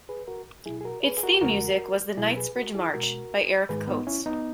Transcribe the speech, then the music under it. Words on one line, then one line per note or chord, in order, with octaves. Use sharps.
Its theme music was the "Knightsbridge March" by Eric Coates.
G#4 B4
F#4 A#4
B2 F#3 E4 G#4
G#4
F#4 A#4
G#4 B4
G#4
F#4 A#4
E2 C#3 G#3 F#4 A#4
B2 F#3 E4 G#4
G#4 B4
F#4 A#4
E4 G#4
B2 G#3 F#4 A#4
G#2 D#3 G#3 G#4 B4
B3 D#4
C#4 E4
B3 D#4